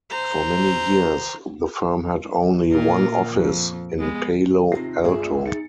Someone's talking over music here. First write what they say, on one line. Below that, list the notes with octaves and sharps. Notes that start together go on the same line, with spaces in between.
For many years, the firm had only one office, in Palo Alto.
C5 A#5
A#2 F4 A#4
F2
G#3 B3
D#2 C3 F4 A#6 C7
G1 C#2 G#4 D5 E5
F4
D#4 A6 C#7